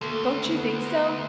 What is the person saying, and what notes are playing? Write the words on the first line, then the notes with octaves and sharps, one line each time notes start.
Don't you think so?
D2 A3 A#3
B3